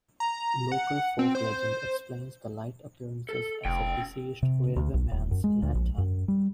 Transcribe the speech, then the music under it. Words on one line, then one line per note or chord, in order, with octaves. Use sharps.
Local folk legend explains the light appearances as a deceased railwayman's lantern.
A#5
F#5
C4
C5
A4
F1 C#4 G5
C3
D2
B1
D#1
F#2
G#3
D2
A#1
F#2
G3